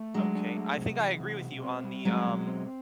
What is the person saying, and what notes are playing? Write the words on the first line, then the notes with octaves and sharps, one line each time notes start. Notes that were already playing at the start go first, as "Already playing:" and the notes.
okay I think I agree with you on the, um,
Already playing: A3
F#3 G#3 D4
D4
A3
C3
E3
C3
B2
C4
G3
F#3 G#3 C4
B2
C4